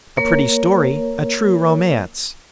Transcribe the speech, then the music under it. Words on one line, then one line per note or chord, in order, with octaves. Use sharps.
A pretty story, a true romance!
A#3 A#4 C#5